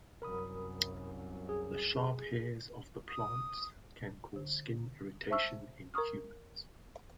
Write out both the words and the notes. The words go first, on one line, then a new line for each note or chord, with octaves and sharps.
The sharp hairs of the plants can cause skin irritation in humans.
C2 F#2 A#4 B5 D#6
G#4
D#6
D3
C5 E5 A5 C#6 E6 F6
A#4 A#5 C#6 D#6 F6